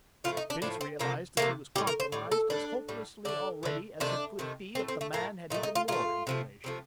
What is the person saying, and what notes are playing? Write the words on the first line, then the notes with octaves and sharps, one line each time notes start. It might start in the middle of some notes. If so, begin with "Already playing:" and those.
Bince realized that he was compromised as hopelessly already as he could be if the man had even more information.
A2 F3 A3 F4
D#4
D4
A2 F3 A3 D4
C4
C3 F3 A3 A#3
C3 F3 A3 A#3
A2 G3 G4
A#4
C5
A2 G3
A4
A2 G3 D4
A2 G3
D3 A3 D4
D3 A3
C3 D#3 A3 D4
C3 D#3 A3
A2 A3 C4
C4
A3
A2 A3 A#3
A#2 A3 D#4
D#4
F4
A#2 A3 F4
C3 F3 A3
C3 F3 A3